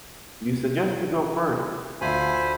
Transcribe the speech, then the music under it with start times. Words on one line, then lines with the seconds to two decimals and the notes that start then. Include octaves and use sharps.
You suggest to go further.
2.01 D2 F4 C5 E5 G#5 B5